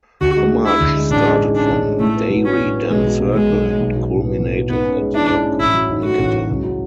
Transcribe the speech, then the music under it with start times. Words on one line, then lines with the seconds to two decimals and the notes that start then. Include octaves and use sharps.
The march started from Dairy Den Circle and culminated at Yog Niketan.
0.21 D2 F#4
0.35 G#3
0.51 D3
0.66 D4 E4
0.80 D2
0.96 G#3
1.10 A1 D4
1.25 G#3
1.40 G#2
1.55 C#4 D4
1.70 A1
1.85 G#3
2.00 A2 A3
2.16 B3
2.30 F#3
2.45 C#4 D4
2.60 A2
2.75 B3
2.90 B1 G#3
3.05 F#3
3.20 B2
3.34 B1 G#3
3.50 B1
3.65 F#3
3.80 B1
3.95 F#3
4.10 A2
4.24 B3
4.40 B1
4.55 F#3
4.70 G#2 B3
4.84 C#4
5.00 G#3
5.14 D4 E4
5.30 G#2
5.44 C#4
5.60 A1 E4
5.74 F#3
5.89 G#2
6.04 A3 F#4
6.19 A1
6.34 F#3
6.50 C#2
6.64 F#3